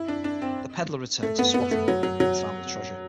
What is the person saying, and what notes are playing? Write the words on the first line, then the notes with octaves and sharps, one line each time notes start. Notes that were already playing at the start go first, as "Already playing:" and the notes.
The pedlar returned to Swaffham, and found the treasure.
Already playing: E4
D4
D4
C4
A3
B3
B3
A3
F#3
F#3
F#3